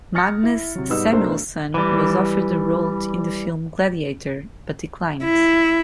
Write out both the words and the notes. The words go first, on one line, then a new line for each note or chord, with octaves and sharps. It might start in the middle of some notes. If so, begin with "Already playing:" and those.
Magnus Samuelsson was offered a role in the film "Gladiator", but declined.
D#6 F6 A6 A#6 C#7
E4
C3 F#3
G#2 G3 B3 D#4 E6
B1 A3 D4 A#4 C5
E3 G3
E4